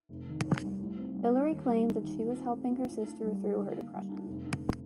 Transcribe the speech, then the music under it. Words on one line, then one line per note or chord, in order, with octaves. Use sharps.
Hilary claims that she was helping her sister through her depression.
F1
D#3
D#2
G3
A2
C4
G3
D#4
D#2
G3
D3
D#2
A#2
C4
A3
F4
A2
D4
G3
A4
D3
A#3
G3
D4
F1
D3